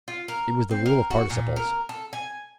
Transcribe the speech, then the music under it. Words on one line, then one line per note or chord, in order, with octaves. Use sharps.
It was the rule of participles.
F4
A#4
C4
A#4
F#4
A#2
A#4
A4
G#5